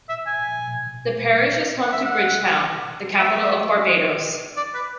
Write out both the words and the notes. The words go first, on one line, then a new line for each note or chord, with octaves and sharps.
The parish is home to Bridgetown, the capital of Barbados.
E5
G#5
F#5
E5
F#5
E5
D5
B4